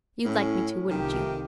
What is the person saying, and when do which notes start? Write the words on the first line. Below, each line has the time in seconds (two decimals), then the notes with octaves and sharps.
You'd like me to, wouldn't you?'
0.25 A2 C#4
0.90 C2 D#3 F3 A3 G4